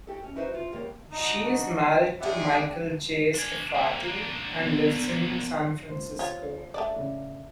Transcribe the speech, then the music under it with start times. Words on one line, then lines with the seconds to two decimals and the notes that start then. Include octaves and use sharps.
She is married to Michael J. Scafati and lives in San Francisco.
0.07 F#4 G4 A4
0.24 C#4
0.35 D#4 E4 F#4 B4 C5
0.54 F4
0.71 D2 G2 G3 A#3 C#5
1.11 D4 D#4 F#4 D#5
2.21 G#3 B3 D4 G4 G#4 E5 F#5 G5
3.35 D4 G#5
3.75 A#3 E4
4.04 A#3 D4
4.59 B3
5.89 C#2 A#2 C5
6.19 F4 C#5
6.74 A3 D4 D5
6.96 A2 C#3